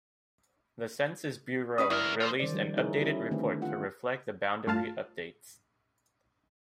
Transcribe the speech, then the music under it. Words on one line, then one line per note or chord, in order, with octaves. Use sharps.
The census bureau released an updated report to reflect the boundary updates.
C#4 B4 D5 D#6
D2 E4 A#4
F4 C5
D#3 G3 C#4 C5 D5
F3 G3 D#4
D#4 E4 G#4 A#4 B4 C#5
C#4 E4 F#4 G4
D3 D#3 A3 C4 D4 B4
F4 F#5
G2 A3 F4 F5 A5